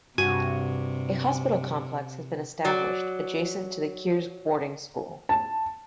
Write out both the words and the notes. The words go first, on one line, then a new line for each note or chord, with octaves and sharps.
A hospital complex has been established adjacent to the Kyrgyz boarding school.
G2 C3 F#4 G#5
F#3 D5
A5